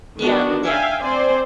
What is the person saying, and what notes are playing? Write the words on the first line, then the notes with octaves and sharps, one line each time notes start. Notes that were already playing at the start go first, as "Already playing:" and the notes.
Yeah, yeah,
D#3 B3 D4 F#4
E5 F5 G5 G#5
C4 C5 D5 G#5